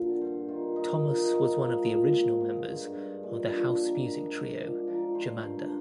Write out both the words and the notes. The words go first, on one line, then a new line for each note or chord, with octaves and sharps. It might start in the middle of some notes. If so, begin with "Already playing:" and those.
Thomas was one of the original members of the house music trio, Jomanda.
Already playing: A#2 D3 F3
D5
G2 C5
D#3 F4
D#3 D#4
F3
G#2
F3
A#2
G#2
G#2
G2
G2
A#2 G#3
F3 D4
D#3 D4
G#2
G#2
F3
F3 A#4
F3 C5
G2 D4